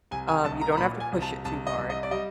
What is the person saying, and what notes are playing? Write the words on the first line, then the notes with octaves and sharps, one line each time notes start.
Um, you don't have to push it too hard.
C2 G#5
G#5
C2 A5
A#5
A#5
A#2 B5
G#5
C2
A5
C2 A5
D#5
C2
D#5
D5
G3 D#5